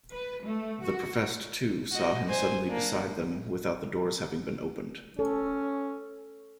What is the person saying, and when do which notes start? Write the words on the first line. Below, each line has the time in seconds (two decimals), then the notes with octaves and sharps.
The professed, too, saw him suddenly beside them without the doors having been opened.
0.11 B4
0.45 A3
0.82 F#4
1.92 F#4 D#5
2.27 C5 G#5
2.67 A#3 D4
5.19 C#4 A4